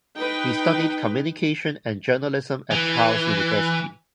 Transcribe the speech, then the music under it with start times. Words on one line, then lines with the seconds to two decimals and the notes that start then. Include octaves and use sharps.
He studied communication and journalism at Charles University.
0.17 D#4 B4 G5
2.71 E3